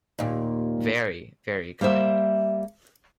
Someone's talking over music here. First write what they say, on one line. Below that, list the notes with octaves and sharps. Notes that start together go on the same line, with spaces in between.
Very, very kind.
D#2 A#2
G3 A#3 C5 E5